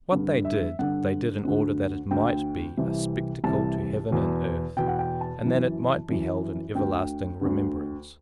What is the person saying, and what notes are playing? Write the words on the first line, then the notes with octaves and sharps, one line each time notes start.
What they did they did in order that it might be a spectacle to heaven and earth, and that it might be held in everlasting remembrance.
G2 D3
E5
G2 D3 F#5
D2 D3
D2 D3 G5
C2 C3 E3
C2 C3 E3 A5
E2 B2
E2 B2 G5
F#5
G5
A5
F#2 E3
F#2 E3
D2 D3 G5
D2 D3